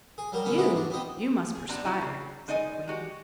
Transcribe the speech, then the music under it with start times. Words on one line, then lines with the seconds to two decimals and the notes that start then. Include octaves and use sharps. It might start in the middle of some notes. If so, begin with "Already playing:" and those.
"You! you must perspire," said the Queen.
0.18 G#4
0.32 F#3 G3 A#4
0.45 A#1 D3 A#3 B3 C#4
0.58 G#3 B3 E4 F#4
0.72 G#2 D4
0.90 B3 C4 D#5
1.55 G#4
1.69 C3 F3 G3 B3 D4
1.85 D#4 E4 F#4 G4
2.01 C#3
2.48 G#3 D#4 D5 D#5 G#5
2.87 G#3 F#4 G4